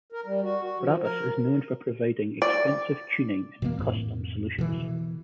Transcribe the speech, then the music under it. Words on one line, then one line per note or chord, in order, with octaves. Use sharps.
Brabus is known for providing expensive tuning and custom solutions.
A#4
G3
F#4
F#4
F3
A#4
D5
B2 E3 G#3 A#3
F2 A2
B2 D3 E3